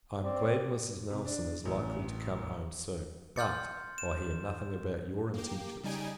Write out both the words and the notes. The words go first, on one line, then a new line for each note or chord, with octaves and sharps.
I am glad Mrs. Nelson is likely to come home soon; but, I hear nothing about your intentions.
C4 D5
C3
D4
A1
C6 F6 G6 A6 C#7
E7
A#3 G4
C#3 G3 D#4 G#5 D7